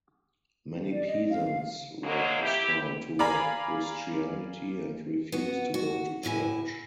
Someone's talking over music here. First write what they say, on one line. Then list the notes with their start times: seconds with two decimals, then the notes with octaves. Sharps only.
Many peasants were hostile toward Christianity and refused to go to church.
0.92 D5
1.07 D#5
1.30 F5
2.04 B2 F#3 G#3 A#3
2.43 E4 G4
3.19 D5 F5 G#5 A#5 B5
5.32 B3 F#4
5.74 F#4
6.23 E2 A2 E4 G#5